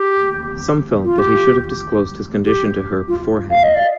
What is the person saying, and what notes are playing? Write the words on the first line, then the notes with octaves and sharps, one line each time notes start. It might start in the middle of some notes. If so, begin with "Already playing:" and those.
Some felt that he should have disclosed his condition to her beforehand.
Already playing: G4
F4
G4
G4
F4
F5
D#5
D5